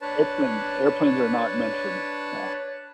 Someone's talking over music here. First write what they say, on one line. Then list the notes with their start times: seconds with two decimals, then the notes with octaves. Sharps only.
airplane airplanes are not meant for me, yeah.
0.02 D4 B4 C#5 A5